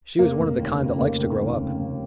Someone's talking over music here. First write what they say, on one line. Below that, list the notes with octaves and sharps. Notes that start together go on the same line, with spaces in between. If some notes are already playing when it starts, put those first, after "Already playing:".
She was one of the kind that likes to grow up.
F1 A#3
F1
D#2
C#3
F1 A#3
F1
D#2
C#3
F1